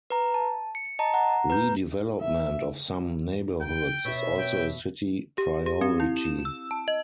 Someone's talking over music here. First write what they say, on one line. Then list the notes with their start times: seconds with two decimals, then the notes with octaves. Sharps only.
Redevelopment of some neighborhoods is also a city priority.
0.10 B4 A#5
0.34 A5
0.75 C#7
0.99 D#5 A5 A#5
1.14 F#5 A#5
1.50 B4 A#5 G6
2.21 E5
3.61 G5
4.05 B2 C#5 E5
4.39 G5
5.38 G4
5.66 G4
5.81 C4
6.00 E4
6.17 E7
6.45 E6
6.71 A5
6.88 D#5